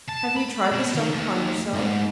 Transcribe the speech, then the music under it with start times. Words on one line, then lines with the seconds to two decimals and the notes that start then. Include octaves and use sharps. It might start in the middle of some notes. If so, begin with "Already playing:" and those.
"Have you tried the stuff upon yourself?"
0.08 A5
0.36 B5
0.72 B2
0.94 D#3
1.11 D#2
1.73 G#2